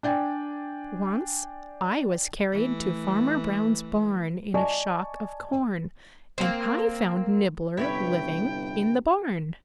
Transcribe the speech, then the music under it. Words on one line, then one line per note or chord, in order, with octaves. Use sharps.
"Once I was carried to Farmer Brown's barn in a shock of corn and I found Nibbler living in the barn."
D4 D5 G5 G#5
E3 A3
D5 D#5 G#5 A5 C#6
A#3 C4
G1 C3 B3 C#4 E4 C#5 G5 B5